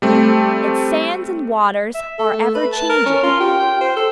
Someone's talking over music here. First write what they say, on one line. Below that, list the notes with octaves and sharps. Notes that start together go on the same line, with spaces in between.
Its sands and waters are ever changing.
G3 A3 C4
E5
A4
A3
B4
A5
A#4
C#4
F4
G4
G5
C5
A4